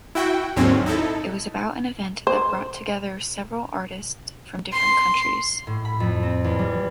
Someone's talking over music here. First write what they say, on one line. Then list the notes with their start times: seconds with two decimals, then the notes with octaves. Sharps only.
It was about an event that brought together several artist from different countries.
0.15 E4 F#4 G5
0.56 D#2 G#2 D3 F#3 C4 C#4
0.86 D#4 E4 A4
2.27 C5
4.72 C6
5.67 A2
5.85 B5
6.00 F2
6.23 C4
6.44 E2
6.59 G3